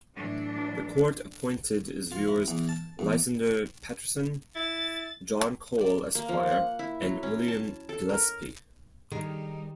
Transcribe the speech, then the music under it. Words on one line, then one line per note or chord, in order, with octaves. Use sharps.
The court appointed as viewers Lysander Patterson, John Cole, Esquire, and William Gillespie.
A2 E3 F#3 D4
F4
E4
E2
A5
E2
E4 A6
D5
A#3
F3
F#5
E4
F#3
C#4
A5
A4
A#4
D#3 G3 D#4 G#4 A#4